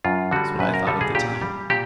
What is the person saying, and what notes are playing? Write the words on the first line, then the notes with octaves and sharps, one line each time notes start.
That was what I thought at the time.
F#2 F4
D3 G3 F#4
F#2 B4
A#4
D3 G3 A4
G#4
A#2 G4
G3
A#2 G4